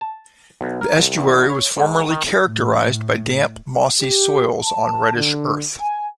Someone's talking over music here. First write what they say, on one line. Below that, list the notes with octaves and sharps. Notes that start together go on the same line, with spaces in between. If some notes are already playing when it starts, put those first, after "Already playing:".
The estuary was formerly characterised by damp mossy soils on reddish earth.
A5
B1
A#4
C2
E2
C#5
G#2
D#3
A2
G4
A5
D3
G#5